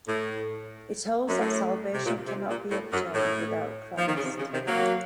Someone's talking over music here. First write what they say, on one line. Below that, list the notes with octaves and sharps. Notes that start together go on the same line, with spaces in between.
It holds that salvation cannot be obtained without Christ.
A2
F#2
A2
C3
A#2
C3
A#2
A2
F#2
A2
F3
D#3
C#3
C3
C#3
C3 D#3
F#3 A#3